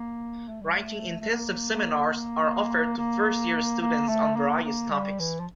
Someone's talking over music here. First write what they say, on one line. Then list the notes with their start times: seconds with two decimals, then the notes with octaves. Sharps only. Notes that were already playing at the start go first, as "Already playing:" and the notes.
Writing-intensive seminars are offered to first-year students on various topics.
Already playing: A#3
0.48 A3
0.61 G3
0.75 A3
1.20 A3
1.31 A#3
1.73 A#3
2.97 A#3
3.81 A#3
4.09 A3
4.36 A#3
4.64 A#3
4.91 G3
5.19 E3
5.39 F3